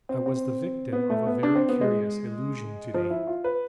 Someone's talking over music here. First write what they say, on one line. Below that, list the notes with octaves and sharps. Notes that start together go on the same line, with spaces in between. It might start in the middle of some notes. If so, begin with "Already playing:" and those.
I was the victim of a very curious illusion to-day.
C4
C4
B3
A3
B3
D4
C4
B3
G#3
F3
E4
F4
B4